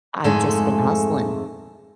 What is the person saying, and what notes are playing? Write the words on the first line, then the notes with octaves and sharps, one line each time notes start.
I've just been hustling
F2 G#2 G#3 A3 A4 G#5